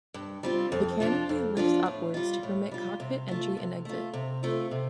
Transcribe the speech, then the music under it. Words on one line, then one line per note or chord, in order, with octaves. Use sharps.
The canopy lifts upwards to permit cockpit entry and exit.
G2
G3 C4 F4
F2
F3 D4 F4
F2
F3 D4 F4
A2
G3 F4
A2
G3 F4
C3
A3 F4
C3
A3 F4
C3
A3 C4 F4
C3